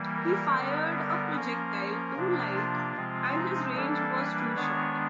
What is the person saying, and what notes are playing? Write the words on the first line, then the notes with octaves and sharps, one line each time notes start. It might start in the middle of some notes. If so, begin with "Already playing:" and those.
He fired a projectile too light and his range was too short.
Already playing: E3 G3 A#3
A#4
D3 G3 B3
A#4
F3 A#3 C#4 A#4
A#4
C3 F3 A#3 D4
F4
C3 F3 G#3 C4
D#4
E3 G3 A#3 D4 A4
B4
D#3 G#3 B3 D4 C#5